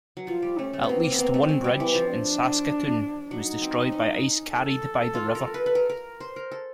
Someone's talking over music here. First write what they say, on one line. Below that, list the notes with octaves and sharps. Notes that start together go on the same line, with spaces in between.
At least one bridge in Saskatoon was destroyed by ice carried by the river.
F#3
F3 F4
G3
A3 C#4
A3
B3
A#3 C4
A#3
B3
A#3
A3
G#3
G3
E3
F3
D4
F#3 D#4
C4
C#4
A4
F4
A#4
B4
B4
A#4
A#4
C5
A#4
A4